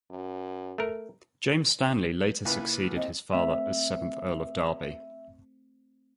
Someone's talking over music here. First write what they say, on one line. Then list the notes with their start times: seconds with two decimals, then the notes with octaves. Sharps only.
James Stanley later succeeded his father as seventh Earl of Derby.
0.10 F#2
0.78 A3 A#4
2.45 C#2 A#3 E4 B4
2.96 C4 D#5
3.33 A3 C4 E5